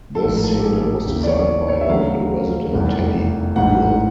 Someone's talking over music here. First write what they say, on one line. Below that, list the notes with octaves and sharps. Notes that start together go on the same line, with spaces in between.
This signal was designed by local resident Teddy Boor.
A4
A1 G#2 F3 A#4
A4
G4
G#4
G4
D#2 C#3 E3 A3 G4
D5
C#5
D5
C#5
E5
D2 C#3 F#3 F5
F1 E2 C3 D#3 G3
A1 G#2 E3 F#5